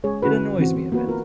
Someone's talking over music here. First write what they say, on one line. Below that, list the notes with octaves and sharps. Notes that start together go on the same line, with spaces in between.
It annoys me a bit.
G#3 C#4 G#4 C#5
D3 C#4 E4 F#4 B4
E3 C4 F#4
C5
A#3 B3 F#4 B4
E4 F4 A#4 B4